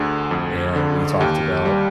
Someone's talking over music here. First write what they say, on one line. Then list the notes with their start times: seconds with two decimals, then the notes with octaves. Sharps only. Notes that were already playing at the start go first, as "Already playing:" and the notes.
and we talked about,
Already playing: D2 D3 G#4
0.31 F2
0.76 D3
1.20 D#2 G4
1.65 G3